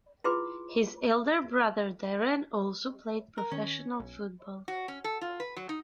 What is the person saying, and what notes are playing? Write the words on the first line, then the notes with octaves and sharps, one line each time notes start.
His elder brother Darren also played professional football.
E4 F4 G#4 B4 C6 D6
A#4
D#3 C#4
B1
F#4
C#4
A4
F4
B4
F#3
D#4